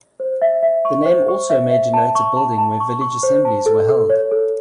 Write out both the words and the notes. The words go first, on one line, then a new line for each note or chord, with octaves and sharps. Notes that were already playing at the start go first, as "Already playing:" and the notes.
The name also may denote a building where village assemblies were held.
C5
E5
E5
C#6
C5
C#6
E5
E5
A5
C#6
A5
A5
C#6
C#6
C5
A5
A4
A4
C#5
A4